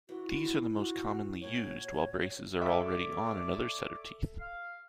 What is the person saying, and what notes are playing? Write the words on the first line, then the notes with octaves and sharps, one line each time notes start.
These are most commonly used while braces are already on another set of teeth.
E3 F#4
F#4
A#2 F#4 C#5
A4 C#5 D5 E5 D6
F5